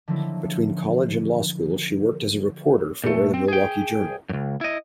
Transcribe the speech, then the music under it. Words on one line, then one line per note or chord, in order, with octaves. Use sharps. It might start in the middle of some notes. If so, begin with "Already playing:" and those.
Between college and law school she worked as a reporter for "The Milwaukee Journal".
D3 D#3 F3 F#3 A#3 E4
A#2 A3
C4
G#4 G5
C#2 F#2
E4 D#5